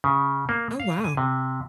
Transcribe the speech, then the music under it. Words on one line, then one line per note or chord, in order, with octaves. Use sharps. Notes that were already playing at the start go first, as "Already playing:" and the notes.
Oh, wow.
C#3
A#3
F5
G#5
C3